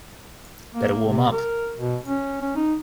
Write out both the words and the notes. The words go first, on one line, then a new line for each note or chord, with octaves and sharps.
Better warm up.
A#3
C3
A#4
B2
C#4
C#4
D#4